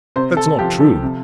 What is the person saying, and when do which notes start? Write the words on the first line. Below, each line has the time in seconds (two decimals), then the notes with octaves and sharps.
That's not true.
0.16 C3 C5
0.37 A4
0.59 F3 G4
0.80 A4
1.03 C3